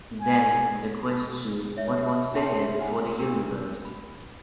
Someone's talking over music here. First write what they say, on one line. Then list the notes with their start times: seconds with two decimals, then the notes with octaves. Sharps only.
Then, the question What was there before the Universe?
0.20 G#5
1.77 C#5 E5
2.34 D4 G4 C#5 E5 A5 C6
2.79 C5 F#5 G#5 B5
3.19 D4 F#4 G4 A#4
3.85 B5